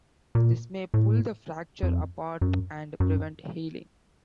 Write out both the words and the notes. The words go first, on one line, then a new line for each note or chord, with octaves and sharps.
These may pull the fracture apart and prevent healing.
A#2
A2
F2
F#2
F#2